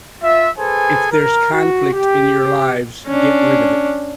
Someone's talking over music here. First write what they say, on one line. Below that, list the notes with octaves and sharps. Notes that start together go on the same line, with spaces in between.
If there's conflict in your lives - get rid of it.
F4 E5
G#4 A4 B4 C5 G#5
A#4
F#4
G4
C#4 D4